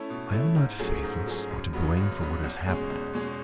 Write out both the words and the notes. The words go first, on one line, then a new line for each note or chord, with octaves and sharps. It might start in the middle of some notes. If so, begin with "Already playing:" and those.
I am not faithless or to blame for what has happened.
Already playing: A3 C#4 E4 A4
B2
A3 C#4 E4 A4
G#2
F#3 A3 C#4 G#4
G#2
F#3 A3 C#4 G#4
F#2
C#3 F#3 B3
F#2
C#3 F#3 B3
E2
B2 G#3 C#4 G#4
E2
B2 G#3 C#4 G#4